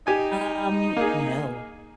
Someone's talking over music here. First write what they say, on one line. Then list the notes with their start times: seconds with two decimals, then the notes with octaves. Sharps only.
Um, no.
0.07 D#4 G4 G#5
0.97 A#3 G#4